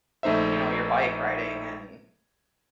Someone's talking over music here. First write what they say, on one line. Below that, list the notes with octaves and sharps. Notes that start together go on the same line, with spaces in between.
you know, your bike riding and
A#1 A3 D#4 C5 E5